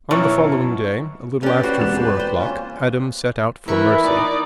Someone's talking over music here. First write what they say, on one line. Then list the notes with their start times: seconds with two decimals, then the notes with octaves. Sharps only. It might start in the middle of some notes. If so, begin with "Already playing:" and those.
On the following day, a little after four o'clock, Adam set out for Mercy.
0.11 F#2 B2 E4 C#5
1.43 C#4 G4 B4 D5
1.63 F#4 C5
1.80 E1 C3 E7
1.97 G5
2.20 C5
2.37 A#3 C#4 F4
3.68 E3 E4 A#4 B5 C#6
4.02 D#4 D5